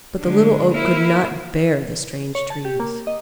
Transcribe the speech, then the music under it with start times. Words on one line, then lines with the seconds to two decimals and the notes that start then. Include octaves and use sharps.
But the Little Oak could not bear the strange Trees.
0.20 D3 G#3
0.71 A#3 E4
2.35 C#5
2.50 A5
2.65 G4
2.80 A#3
3.07 D#5